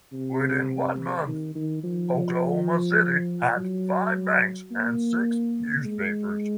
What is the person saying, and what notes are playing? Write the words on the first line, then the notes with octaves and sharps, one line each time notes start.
Within one month, Oklahoma City had five banks and six newspapers.
C3
D#3
D#3
F3
F#3
A#3
G#3